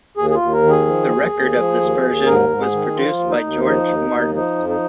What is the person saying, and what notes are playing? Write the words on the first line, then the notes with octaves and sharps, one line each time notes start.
The record of this version was produced by George Martin.
D#2 G#4
G#4
F4
D#2
A#4
D#3
G#4
F3
D#2
D#2
F3
D#2
D#2
G#2 A#4
G#2
G#4
D#3
F3 F4
D#2
D#4
D#2
F3 D#4
D#2
D#2
F3 D#4
F2
D#4